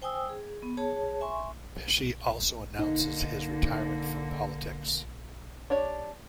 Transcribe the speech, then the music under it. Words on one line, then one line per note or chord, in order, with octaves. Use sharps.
Pesce also announces his retirement from politics.
C5 G5 G#5 D#6 E6
G#4
B3
G#4 C#5 A5
E5 G#5 C6 C#6
D3 A#3 D#4
D4 G4 C#5